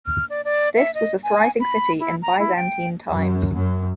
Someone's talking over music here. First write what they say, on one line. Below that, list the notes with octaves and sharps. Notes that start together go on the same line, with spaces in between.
This was a thriving city in Byzantine times.
F6
D5
D5
E5
D#5
G#5
B5
E4
A#5
E4
G5
F#2
F#2